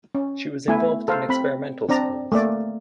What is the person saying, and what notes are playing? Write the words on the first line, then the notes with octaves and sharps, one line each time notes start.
She was involved in experimental schools.
C#4
A3 B3 E4 G#5
A4 C5 F5
C4 B5
C4 D4 D5 A#5
A3 A#3 D5